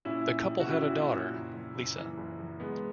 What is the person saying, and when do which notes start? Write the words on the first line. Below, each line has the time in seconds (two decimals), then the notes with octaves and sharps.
The couple had a daughter, Lisa.
0.05 A#2 C#4 E4
0.27 A#2
0.48 A#1
0.60 F#4
0.69 A#1 C#4 E4
0.90 A#2
1.11 A#2
1.33 F#1
1.54 F#2
1.75 F#1
1.97 E3
2.18 F#1
2.39 F#2
2.60 B2 G#3 B3